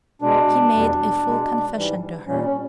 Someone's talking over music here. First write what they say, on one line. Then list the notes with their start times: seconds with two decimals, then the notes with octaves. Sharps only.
He made a full confession to her.
0.22 B2 G#3 D4
0.73 E2 B2 G3
1.25 B2 G#3
1.76 G#2 E3 G3
2.27 A#2 G3 C#4
2.45 C#4